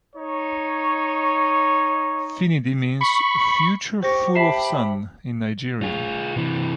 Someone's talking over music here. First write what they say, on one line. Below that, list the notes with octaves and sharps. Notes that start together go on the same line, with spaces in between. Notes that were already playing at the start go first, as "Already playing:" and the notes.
Finidi means "Future full of sun" in Nigerian.
D#4 C#5
B5 C#6
G4 C5 C#6 A#6
G4 E5 A5 B5 C7
F4 G#4
C3 E3